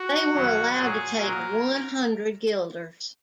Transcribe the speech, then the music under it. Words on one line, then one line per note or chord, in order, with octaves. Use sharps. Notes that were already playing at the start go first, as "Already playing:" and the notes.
They were allowed to take one hundred Guilders.
Already playing: F#4
F#2 D#3 F#3
A#2 F#3 G#4
A#2 F#3 A#4